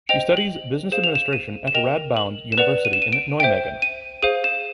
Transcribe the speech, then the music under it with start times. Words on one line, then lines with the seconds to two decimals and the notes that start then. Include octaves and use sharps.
She studies business administration at the Radboud University in Nijmegen.
0.09 C5 D#5 G5 F7
0.37 F#7
0.92 G#4 C5 F5 E7
1.04 F7
1.15 E7
1.33 D#7
1.67 E7
1.74 A#4 D#5 G5 F7
2.17 F#7
2.52 E7
2.58 B4 D5 F#5 F7
2.85 D#7
2.93 E7
3.02 D#7
3.13 D7
3.40 C5 E5 G5 D7
3.82 D#7
4.23 G#4 C5 F5 D#7
4.44 E7